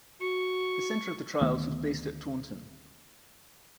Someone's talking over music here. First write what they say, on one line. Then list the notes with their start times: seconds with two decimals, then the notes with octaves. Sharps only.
The Centre of the trials was based at Taunton.
0.20 F#4 C#6
1.41 D2 D#3 A3 B3